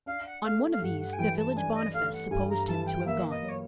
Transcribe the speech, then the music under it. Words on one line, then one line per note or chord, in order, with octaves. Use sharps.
On one of these the village Boniface supposed him to have gone.
D4 F5
F#5
A3 F5
F5
G2 F#5
F#5
G#5
E3 G5
A5
D4 G#5
D#5
A3 F5
F#5
G2 G#5
A#5
E3 A5
G5
A#3 E5
D#5
F#3
C#5